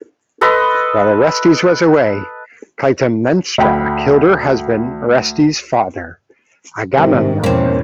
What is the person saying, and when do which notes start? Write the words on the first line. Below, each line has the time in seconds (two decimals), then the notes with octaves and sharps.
While Orestes was away, Clytemnestra killed her husband, Orestes' father Agamemnon.
0.41 A4 B4 D#5 C6
3.58 D2 G5 B5
6.96 G#2 C3 D#3
7.44 E2 G#2 B2 F3 A#3 C4 C#4